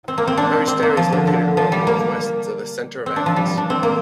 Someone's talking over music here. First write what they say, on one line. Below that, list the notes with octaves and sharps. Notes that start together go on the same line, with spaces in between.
Peristeri is located about northwest of the centre of Athens.
C4
A#3
C4
D4
C4
A#3
F3
D3
D3
F3
G3
A#3
C4
D4
F3
G3
D4
C4
A#3